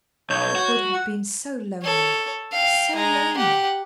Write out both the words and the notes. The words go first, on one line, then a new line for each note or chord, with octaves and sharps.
It would have been so lonely, so lonely!
B1 C#5 G6
F#4
F#5
A4 C#5
F5 G5
G#3 A#5
G4 F#5